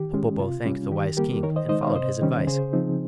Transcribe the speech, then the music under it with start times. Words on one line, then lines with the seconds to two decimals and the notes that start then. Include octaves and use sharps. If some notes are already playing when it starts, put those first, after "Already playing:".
Popopo thanked the wise king and followed his advice.
Already playing: D#3 G4
0.13 G#3 C#4
0.40 C3 F4
0.65 G3 C#4
0.91 D#3 G4
1.17 G3 A#3 G4 A#4
1.43 D#3 A#4 C#5
1.56 C5 D#5
1.69 G#3 D#4 C5 D#5
1.82 C#5 F5
1.95 C3 C5 D#5
2.21 D#3 G3 C#4
2.47 C#3 G#4 C5
2.73 F3 C4 D#4